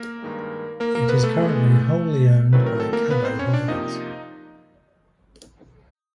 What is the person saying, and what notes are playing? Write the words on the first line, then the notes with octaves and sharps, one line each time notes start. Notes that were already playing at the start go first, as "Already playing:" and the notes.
It is currently wholly owned by Kabo Holdings.
Already playing: A#3 A#4
G2 D#3 G#3
A#3 A#4
A#3 A#4
B3 B4
A3 A4
E3 G#3 B3
D#3 F#3 A3 C4 E4 B4
A#4
A4
A#3 A#4
B3 B4
C4 C5
C#4 C#5
D4 D5
C3 F3 A#3 D#4 D#5